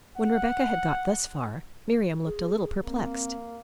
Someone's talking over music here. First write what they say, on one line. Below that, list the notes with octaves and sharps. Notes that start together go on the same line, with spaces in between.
When Rebecca had got thus far, Miriam looked a little perplexed.
F#5
G#4
A#3 C4